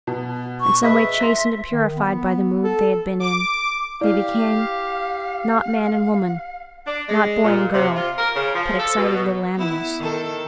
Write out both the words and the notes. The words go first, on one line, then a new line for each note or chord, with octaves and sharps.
In some way chastened and purified by the mood they had been in, they became, not man and woman, not boy and girl, but excited little animals.
B2
C#6
G#4 B4 D#5 E5
C6 A#6
D#3
B3
A4
D6
E4 G4 D5 F5
D4
G#3
A#2
C3
F4
A#4
C#3
F3
A4
B2
B3 E4
D#3 A4